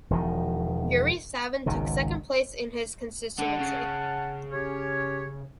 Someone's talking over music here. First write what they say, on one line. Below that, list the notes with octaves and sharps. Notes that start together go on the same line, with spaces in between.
Yuri Savin took second place in his constituency.
E1 E2 D#3 F3
G#1 C#2 C3 D#3
D3 F#5 A5
C#3
C#4 G4 C#5